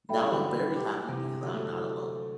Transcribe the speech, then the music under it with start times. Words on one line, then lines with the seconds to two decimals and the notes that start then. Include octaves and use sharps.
Now I’m very happy because I’m not alone.
0.09 F#3 A3 A4 E5 G5 B5
0.20 E3 G3
0.32 D3 F#3
0.76 E4 G4 C5 G5 D6
1.09 C3 E3
1.42 D3 F#3 E4 G4 C5 E5
1.53 F#3 A3